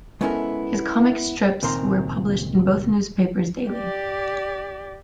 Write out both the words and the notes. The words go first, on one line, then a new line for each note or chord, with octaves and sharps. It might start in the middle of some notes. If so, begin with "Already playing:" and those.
His comic strips were published in both newspapers daily.
G#3 B3 C#4 E4 A4 A#4
C#2 A#2 D#3 C4 A#4 C6
G4 D5